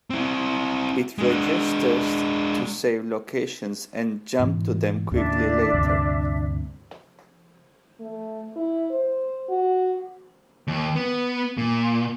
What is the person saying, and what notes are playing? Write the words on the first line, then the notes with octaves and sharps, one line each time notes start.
It registers to save locations and jump to them quickly later.
C4 E4
G#3 D4
G#2 B2 E3
D#2 A2 C#3 D4 E5
D2 G2 C3
A3
E4
C5
F#4
D#2
B3
A#2